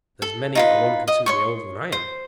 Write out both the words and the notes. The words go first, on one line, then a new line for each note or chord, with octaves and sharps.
"There's many a one considerably older than I am."
A4
D#4 F4 B4
D#5
C#5 C6 C#6
C5